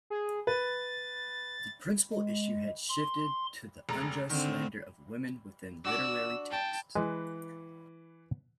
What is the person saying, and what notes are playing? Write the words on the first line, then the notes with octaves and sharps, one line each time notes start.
The principal issue had shifted to the unjust slander of women within literary texts.
G#4
B4 A6
G#3
C6
F1 G#3 A#5
D3 D#3 C4
D4 F#4 D5 E6
G5 A5
E3 G#3 B4